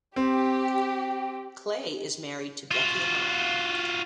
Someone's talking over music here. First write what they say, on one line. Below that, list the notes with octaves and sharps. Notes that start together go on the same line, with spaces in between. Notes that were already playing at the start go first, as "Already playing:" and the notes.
Clay is married to Becki Hine.
C4 G4
F4 F#4